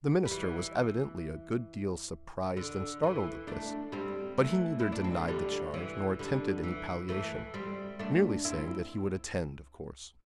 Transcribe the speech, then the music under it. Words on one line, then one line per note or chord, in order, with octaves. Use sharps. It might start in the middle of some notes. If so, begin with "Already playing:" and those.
The minister was evidently a good deal surprised and startled at this, but he neither denied the charge nor attempted any palliation, merely saying that he would attend, of course.
G3
E3
D3
E3
A3 D4
G3 C4
E3 A3
E4
D4
C4
A3
D3 G3
E3
D3 G3
E3
E3 A3
G3 C4
A3 D4
C4 E4